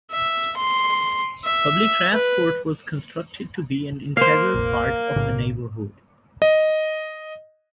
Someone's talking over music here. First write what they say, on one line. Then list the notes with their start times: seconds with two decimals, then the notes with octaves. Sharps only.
Public transport was constructed to be an integral part of the neighbourhood.
0.11 E5
0.57 C6
1.45 E5
2.14 B4
4.17 A#3 C5 F5
4.54 F1 A#1
5.16 B1 A2 C#3
6.42 D#5